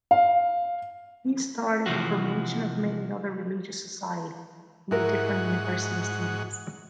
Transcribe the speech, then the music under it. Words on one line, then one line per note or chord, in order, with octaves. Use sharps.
This started the formation of many other religious societies in the different university cities.
F5
C3 E3 F3 F#4
G#2 E4 F#4 A#4